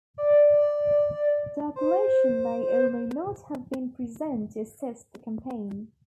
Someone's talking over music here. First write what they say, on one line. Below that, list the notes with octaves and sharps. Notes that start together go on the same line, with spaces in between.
Diocletian may or may not have been present to assist the campaign.
D5
C5